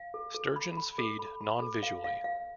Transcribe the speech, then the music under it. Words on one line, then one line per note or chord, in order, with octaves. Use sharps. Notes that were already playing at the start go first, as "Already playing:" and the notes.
Sturgeons feed non-visually.
Already playing: F5
A4
A4
B5
B5
A4
B5
B5
A4
F5
F5
F5